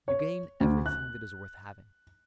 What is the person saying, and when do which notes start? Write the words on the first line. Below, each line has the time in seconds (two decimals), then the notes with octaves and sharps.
You gain everything that is worth having.
0.08 C#5
0.60 D2
0.86 F#6